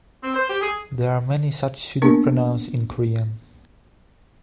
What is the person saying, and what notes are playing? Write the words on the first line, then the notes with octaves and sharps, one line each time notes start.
There are many such pseudo-pronouns in Korean.
C4
C5
G4
G#4
A#3 B3 D4 A#4